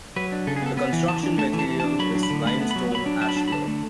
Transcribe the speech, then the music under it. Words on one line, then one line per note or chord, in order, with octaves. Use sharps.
The construction material is limestone ashlar.
F#3 B4
D4
C#3 A4
G#4
B3 A4
B3 B4
E3
E3 A5
D4
A3 A5
E3
A5
E3
A5
D4
F#3 B5
D4
B5
D3
A3 B5
B3
F#3 B5
F#3 B5
D4
F#3 A5
B5
D4 A5
B5
D3 A5
A3